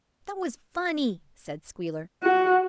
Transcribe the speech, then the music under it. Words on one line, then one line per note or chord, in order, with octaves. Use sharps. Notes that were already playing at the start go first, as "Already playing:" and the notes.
"That was funny," said Squealer.
F#4